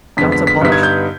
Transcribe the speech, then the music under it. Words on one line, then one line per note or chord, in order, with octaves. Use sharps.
Counter polished.
F2 D3 G#3 B3 B6
B6
B6
G2 D3 G3 B3 D#4 B6
G#6
G6